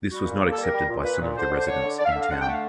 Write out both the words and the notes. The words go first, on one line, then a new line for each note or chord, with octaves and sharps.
This was not accepted by some of the residents in town.
G3 F#4
A#2
A#3
A4
G3
A#4
G3
A#2
A#2 B4
A#2
D3 C5
D3 C5
D3 C#5
D3
D3 D5
F5
E5
D3
F5
D3 F#5
G5
A3 F#5
F5